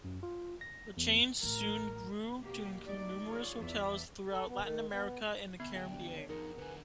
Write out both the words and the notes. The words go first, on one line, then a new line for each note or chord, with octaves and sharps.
The chain soon grew to include numerous hotels throughout Latin America and the Caribbean.
F#2
F4
A#6
E2
A1 A#4
B2 A#3 G4
F3 F#3 A3 D#4 D5
F4 G#4 C#5 D5
E2 D5 E5
A4
B3
D#3
B3
D2 B3 B5
G#4 G5
D4 G4
C#5
F2 D#4 G#4 A#4 F#5
D3 E3 B4 G#5